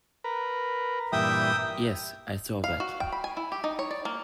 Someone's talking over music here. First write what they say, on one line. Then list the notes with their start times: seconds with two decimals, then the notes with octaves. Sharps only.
Yes, I saw that.
0.24 A#4 B4
1.12 G2 A#2 E3 E5 G5 D#6
2.64 F5
2.80 F#4
3.00 G5
3.12 B5
3.24 G#5
3.37 E4
3.52 G4
3.64 D#4
3.79 C#5
3.91 D5
4.05 A#3